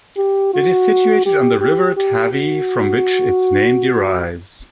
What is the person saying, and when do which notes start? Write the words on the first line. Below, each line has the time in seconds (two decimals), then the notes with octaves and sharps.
It is situated on the River Tavy from which its name derives.
0.17 G4
0.53 F#4
1.25 G4
1.60 G4
1.96 G4
2.33 F#4